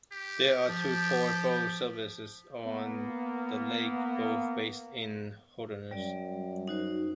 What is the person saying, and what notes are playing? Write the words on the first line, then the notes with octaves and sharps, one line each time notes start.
There are two tour boat services on the lake, both based in Holderness.
G4
F3
A#3 B3
F#2 G3 D5
D#4 F#4 C5